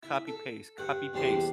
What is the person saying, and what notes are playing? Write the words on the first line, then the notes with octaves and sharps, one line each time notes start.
copy, paste, copy, paste.
E4
A4
G2 F#5
E2 C3 G3 D4 A5 C6